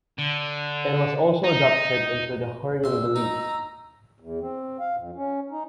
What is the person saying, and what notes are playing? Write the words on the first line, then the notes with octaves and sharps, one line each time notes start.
It was also adopted into Hurrian beliefs.
D3
D#4
A#1 C6 E6
D#4 A#5
E2
C4
F5
F2
C#4
D#4